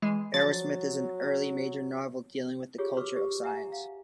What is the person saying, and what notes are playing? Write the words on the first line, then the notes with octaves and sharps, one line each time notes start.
"Arrowsmith" is an early major novel dealing with the culture of science.
E3 G#3
F3 F#3 A6
F4 G4 G#4 C#5
F#4 B4 C#6 D6 E6
G4
E5 F#5 G#5 A#5
F5